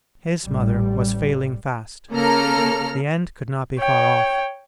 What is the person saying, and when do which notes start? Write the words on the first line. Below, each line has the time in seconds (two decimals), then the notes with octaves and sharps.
His mother was failing fast; the end could not be far off.
0.43 A1 G3
2.12 C#3 A#3 A4 A#5 F6
3.79 C#5 G5